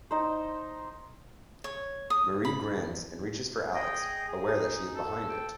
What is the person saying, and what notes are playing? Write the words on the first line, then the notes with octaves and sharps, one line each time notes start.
Marie grins and reaches for Alex, aware that she is behind it.
D#4 C5
C#5
D#6
B5
G#4 D#5 G5
G#4
D#4
A4
G5